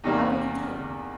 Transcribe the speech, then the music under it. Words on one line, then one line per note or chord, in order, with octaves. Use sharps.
How are you doing?
E2 C3 D#3 G3 A#3